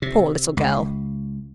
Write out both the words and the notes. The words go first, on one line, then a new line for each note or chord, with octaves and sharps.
Poor little girl!
C3
C#2